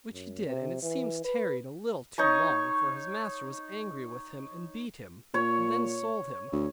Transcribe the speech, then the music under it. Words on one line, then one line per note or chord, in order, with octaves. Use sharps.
Which he did, and it seems tarried a little too long; for his master was angry with him, and beat him, and then sold him.
F#2
C3
E3
B4
D#4 C#5 C#6
A#2 C#5
D2